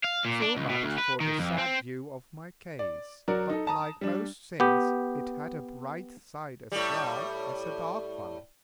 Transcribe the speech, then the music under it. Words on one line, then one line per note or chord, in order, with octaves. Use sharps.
So much for the sad view of my case; but like most things it had a bright side as well as a dark one.
F5
A#2
D4
C#2
B2
D2
B4
D#3
F2
C4
D5
F#3 F#4 A#4 D5
D#4 A4
A5 A#5 D#6
G3 D4
B3 G4
A2 G3